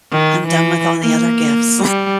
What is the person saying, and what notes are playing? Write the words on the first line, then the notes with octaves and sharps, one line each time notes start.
I'm done with all the other gifts."
D#3
E3
A#3
G3